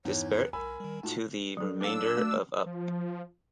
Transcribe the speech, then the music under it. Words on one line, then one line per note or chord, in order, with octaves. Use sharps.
Disparate to the remainder of Up!
E2 G2 D#4 E4 C#5
B4
B1 A#4 G#5 B5 E6
D#3 G3
A2 D#4 F4 F#4 A5
F#3 A4
A#3 D4 A4 F5 E6
A3 F#4
F3